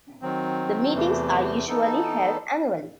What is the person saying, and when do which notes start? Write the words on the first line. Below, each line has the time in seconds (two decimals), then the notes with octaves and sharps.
The meetings are usually held annually.
0.22 D#3 F#3 C4
0.94 E2 C3 E3 A3
1.66 E3 B3 D#4 A4